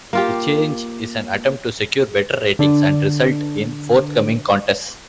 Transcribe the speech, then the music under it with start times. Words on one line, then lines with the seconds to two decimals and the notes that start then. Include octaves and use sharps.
The change is an attempt to secure better ratings and results in forthcoming contests.
0.13 A#3 F4 G4
2.59 D3 D4